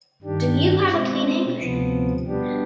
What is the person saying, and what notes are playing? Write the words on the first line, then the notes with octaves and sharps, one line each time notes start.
Do you have a clean handkerchief?
G2 D#3 G3 D4 G4
B2 G#3 C4
D2 C3 F3 B3
B2 G3 B3 D4 G4